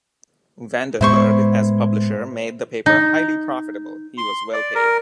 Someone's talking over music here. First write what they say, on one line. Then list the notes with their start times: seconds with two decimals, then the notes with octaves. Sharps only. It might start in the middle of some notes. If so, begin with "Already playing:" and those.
Vandenberg as publisher made the paper highly profitable; he was well paid.
1.01 A2 G#3 B3 E4 C5 C#6
2.86 D#4
4.18 C6
4.53 D5
4.75 A#4